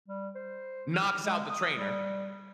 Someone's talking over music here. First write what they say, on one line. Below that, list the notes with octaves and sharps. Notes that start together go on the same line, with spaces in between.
knocks out the trainer,
G3
C5
F6
G#3
D#6
G3